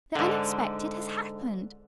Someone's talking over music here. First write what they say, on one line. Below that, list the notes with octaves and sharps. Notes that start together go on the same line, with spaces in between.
"The unexpected has happened!"
G#2 D3